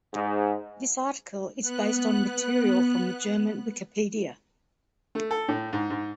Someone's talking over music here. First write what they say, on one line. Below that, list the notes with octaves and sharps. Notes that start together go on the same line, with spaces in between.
This article is based on material from the German Wikipedia.
G#2
B3 F#6
A3
A4
A2
G#2
G#2